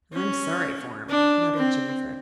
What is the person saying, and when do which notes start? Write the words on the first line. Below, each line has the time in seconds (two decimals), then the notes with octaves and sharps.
"I'm sorry for him," muttered Jimfred.
0.13 C#4
1.09 D4
1.57 C4